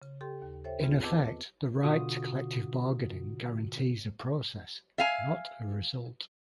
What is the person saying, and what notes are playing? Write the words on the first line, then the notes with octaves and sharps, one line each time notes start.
In effect, the right to collective bargaining guarantees a process, not a result.
C#3
G4 A4 G5 C6
D#2
A4 C5 C#5 E5 G5
B3 C4 F4 G#4
B4 D#5 A5 D6 E6
B2 D3 F4 F#4 D#6
E5 F5 G#5